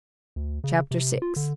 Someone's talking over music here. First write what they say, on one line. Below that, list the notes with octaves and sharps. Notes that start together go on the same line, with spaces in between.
Chapter VI.
D2
C#3
C3
F4
D3